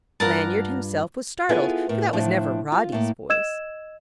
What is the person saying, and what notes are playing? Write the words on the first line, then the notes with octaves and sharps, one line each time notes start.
Lanyard himself was startled: for that was never Roddy's voice!
G2 F4 A#4 F#5 A5
B3 E4 F4 G#4 A4 B4
A2 A#4
A2 F3 D4
F4
A2 A#3
D#5 E6 G#6 E7